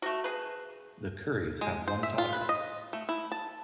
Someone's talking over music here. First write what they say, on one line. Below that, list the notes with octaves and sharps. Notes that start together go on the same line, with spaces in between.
The Currys have one daughter.
A3 F#4
G#4 B4
G#3
C5
E5
F4
B4
D#5
A3
E4
A5